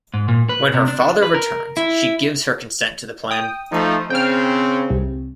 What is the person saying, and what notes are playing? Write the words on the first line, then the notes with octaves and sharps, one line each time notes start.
When her father returns she gives her consent to the plan.
G#2
A#2
B4
C3
D4
B4
A#4
E4
G5 D#6
F3 A3 D#4
C#3 C4 G5 F6
C2 C3